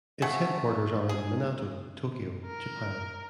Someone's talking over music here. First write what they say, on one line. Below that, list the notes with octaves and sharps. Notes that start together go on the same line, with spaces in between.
Its headquarters are in Minato, Tokyo, Japan.
C#3 A3 G#4 F#5
G#4
A#4